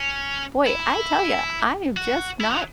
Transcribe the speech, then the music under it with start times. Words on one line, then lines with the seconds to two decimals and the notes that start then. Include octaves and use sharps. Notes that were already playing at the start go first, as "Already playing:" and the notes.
boy, I tell you, I am just not
Already playing: C#4
0.67 E4
1.97 F#4
2.40 E4
2.51 F#3